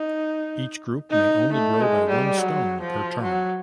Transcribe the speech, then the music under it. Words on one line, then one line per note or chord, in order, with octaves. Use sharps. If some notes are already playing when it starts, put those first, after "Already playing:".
Each group may only grow by one stone per turn.
Already playing: D#4
D#4
A3
G#3
G3
F#3
F3
F#3